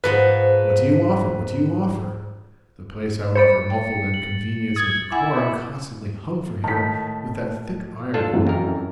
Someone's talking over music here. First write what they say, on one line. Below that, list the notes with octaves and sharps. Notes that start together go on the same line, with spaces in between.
"What do you offer, what do you offer?"--the place, however muffled in convenience and decorum, constantly hummed for him with that thick irony.
G#2 F3 B4 F#5
C5 B5 A6 C#7 D7
G5
F#7
D#6 G#6 A6
E4 F#5 G#5 D6
A2 D#3 A5 B6
D4 F4 A4
F#2 E3
F2 A#4